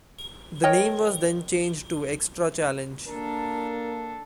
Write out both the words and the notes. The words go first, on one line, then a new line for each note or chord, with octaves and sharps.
The name was then changed to "Extra Challenge".
A#4 C#5 D#5 G5
A#3 D4 A4 A#4